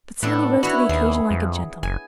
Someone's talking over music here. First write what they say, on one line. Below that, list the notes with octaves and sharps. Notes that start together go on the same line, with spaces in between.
But Sandy rose to the occasion like a gentleman.
A2 B3 D4 A4
B3 E4 F#4 C#5
D#2 G#4
F2
F#1 G#5